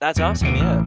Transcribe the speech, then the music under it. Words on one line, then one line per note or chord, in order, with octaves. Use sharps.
That's awesome, yeah.
E2
D2 B2
A1